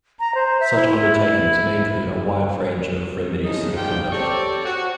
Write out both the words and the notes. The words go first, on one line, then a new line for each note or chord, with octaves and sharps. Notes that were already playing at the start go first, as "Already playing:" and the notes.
Such undertakings may include a wide range of remedies to the conduct.
A#5
C5
E5
E4
C#3 F3 A3 D#4
G#2 B2 D3 F4 G4 G5
C4 G4 A4 C#5 D5
F#4